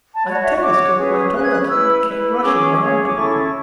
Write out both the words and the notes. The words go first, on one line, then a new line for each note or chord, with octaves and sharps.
I telescoped my toilet and came rushing round to you.
A5
F#4 C#5 B5
D5
E5
C#6
F#4 C#5 D6
C#4 G#4 B4
C#4 G#4 B4 F#6
G#6
F#6
E4 B4 E6
E4 B4
E6
C#4 G#4 C#5 D6
C#4 G#4 C#5
D6
C#4 E4 A4 C#6